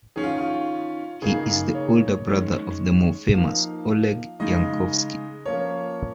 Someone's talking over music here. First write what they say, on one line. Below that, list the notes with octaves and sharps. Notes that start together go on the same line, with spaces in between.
He is the older brother of the more famous Oleg Yankovsky.
D#3 C#4 G#4
F4
F4
C#3 A#3 D#4 G#4
C#5
D#3 G#3 C#4
F3 A#3 D#4 F5
C#3 G#3 D#4 D#5
F3 A#3 C#4 C#5